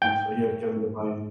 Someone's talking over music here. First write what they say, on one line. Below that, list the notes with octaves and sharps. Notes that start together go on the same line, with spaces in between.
Yeah, so he had to get 'em to buy in.
G5